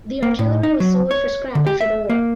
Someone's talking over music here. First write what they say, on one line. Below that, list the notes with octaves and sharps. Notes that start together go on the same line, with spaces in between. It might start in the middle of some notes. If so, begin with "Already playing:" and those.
The artillery was sold for scrap after the war.
A#3
A2
D#4
F#3
C#5
D3
G4
E5
A#3